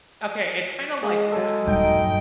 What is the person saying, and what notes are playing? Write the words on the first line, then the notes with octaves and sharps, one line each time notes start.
Okay, it's kinda like that.
G#3 G#4
F#3 A4
D#1 G2 D#4 G5